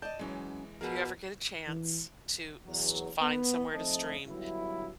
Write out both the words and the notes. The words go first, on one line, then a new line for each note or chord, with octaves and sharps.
If you ever get a chance to st find somewhere to stream,
D5 D#5 A5 G6
E3 F#3 G#3 C#4
B2 F3 G#4 A#4
E3
E2 F#3
B3
F3 A3 C4 D#4 D#5 A5
G1 G2 F#3 E4